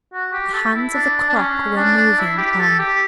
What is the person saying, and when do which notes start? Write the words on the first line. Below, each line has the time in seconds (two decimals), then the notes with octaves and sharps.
The hands of the clock were moving on.
0.13 F#4
0.33 G4
0.53 A4
0.75 E4
0.94 D4
1.29 D4
1.35 C#4
1.76 D4
1.97 D4
2.18 E4
2.38 G4
2.59 A4
2.79 G4